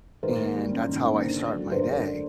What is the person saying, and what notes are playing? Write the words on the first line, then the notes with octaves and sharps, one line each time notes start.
and that's how I start my day.
D#3 A#4 C5
A#3
G3
C#4
D#3
A#3
D3
A3
F#3
D3 A#4 C5
D3
A3